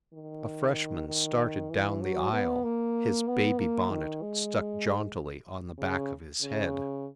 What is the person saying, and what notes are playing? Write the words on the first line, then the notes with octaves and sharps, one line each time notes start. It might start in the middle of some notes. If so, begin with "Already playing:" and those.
A freshman started down the aisle, his "baby bonnet" stuck jauntily on the back of his head.
D#3
D#3
E3
F#3
B3
A#3
B3
A#3
D#3
G#3
C#3
C#3